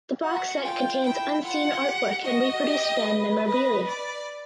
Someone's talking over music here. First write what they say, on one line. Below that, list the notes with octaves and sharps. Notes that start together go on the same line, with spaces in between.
The box set contains unseen artwork and reproduced band memorabilia.
F#4 F#5
F4 G5
E4 G5
F4 F#5
G4
F#4 D#5
G4
B4
D#5
D5